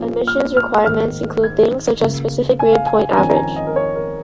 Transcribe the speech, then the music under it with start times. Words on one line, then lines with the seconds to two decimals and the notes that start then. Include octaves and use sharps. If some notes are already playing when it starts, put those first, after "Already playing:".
Admissions requirements include things such as a specific grade-point-average.
Already playing: A#2 F3 C#4
0.27 F6
0.57 F6
0.86 G#2 D#3 A#3 F6
1.44 G#6
2.01 C#2 C#3 A#3
2.59 G#5
2.73 F5
2.86 G#5
3.13 A#5
3.17 F2 D#3 C#4 G#5
3.30 A#5
3.37 G#5
3.56 D#5
3.67 A#4
3.76 C#5
3.96 A#4